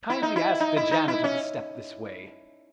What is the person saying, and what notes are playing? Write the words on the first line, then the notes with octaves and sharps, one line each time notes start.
"Kindly ask the janitor to step this way."
E4
D#4
E4
D#4
E4
D#4
E4
C#4